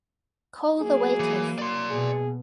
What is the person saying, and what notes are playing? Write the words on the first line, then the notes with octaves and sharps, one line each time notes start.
Call the waiters!
F#3 A#3 G#4
E3
D5 C6
B2 G#4